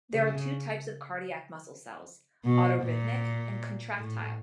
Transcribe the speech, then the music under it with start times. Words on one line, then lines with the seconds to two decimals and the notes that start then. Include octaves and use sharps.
There are two types of cardiac muscle cells: autorhythmic and contractile.
0.14 C#3
2.45 B2
2.83 A#2
3.98 A2